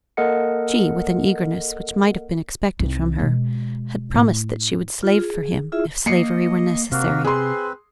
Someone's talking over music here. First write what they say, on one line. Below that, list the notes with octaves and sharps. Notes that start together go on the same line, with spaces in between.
She, with an eagerness which might have been expected from her, had promised that she would slave for him, if slavery were necessary.
A#3 A4 A#4 D#5 F#5 C#7
C2 D#4
B2 G#3
A2
F4
G#4
E4 F4 G#4 E5
A#3 D#5 C7 C#7
C3 A#3 F#4 F5
C4 G#4 B4 C6